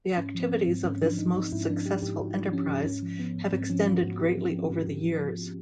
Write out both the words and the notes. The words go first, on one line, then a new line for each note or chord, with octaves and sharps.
The activities of this most successful enterprise have extended greatly over the years.
G#2 C#4
F3
C4
F3
C4
G#2
G#2 C#4
F3 D4
F3 D#4
G#2 D#4
G#2 E4
F3 D4
F3 G4
G#2 G4
G#2 F#4
F3
F3 C#4
G#2
G#2 C#4
F3
F3 B3
G#2
G#2 C4
F3 C#4
F3 F4
G#2 F#4
G#2 G4
F3
F3
G#2
G#2
F3
F3